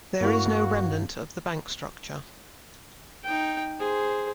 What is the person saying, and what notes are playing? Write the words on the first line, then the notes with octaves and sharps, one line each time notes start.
There is no remnant of the bank structure.
G2 A#3 C#4 E4 F#4 F5 C#6
D#4 G5
G#4 C5